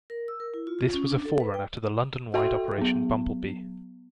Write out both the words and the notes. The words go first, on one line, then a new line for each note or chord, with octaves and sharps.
This was a forerunner to the London - wide Operation Bumblebee.
A#4
E6
A#4
E4
F4
F4
C#4
D4
A4
B4
G5
F#4 A4 E5 G5 C6
F#3 B3